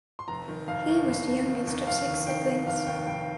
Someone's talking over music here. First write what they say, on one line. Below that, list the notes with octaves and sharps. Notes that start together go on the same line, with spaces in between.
He was the youngest of six siblings.
C6
F1 A#5
D#3
F1 F5
D#2
F1
D#2
D#3
D#2
F1 F5
D#2
D#3 G5
D#3
F1 F5
D#2 G5
F1 G5